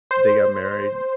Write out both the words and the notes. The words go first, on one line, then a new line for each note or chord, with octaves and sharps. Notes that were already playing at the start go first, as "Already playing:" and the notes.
they got married.
C5